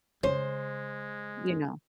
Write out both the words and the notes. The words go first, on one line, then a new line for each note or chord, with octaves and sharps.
you know,
C#3 G#3 C#4 C5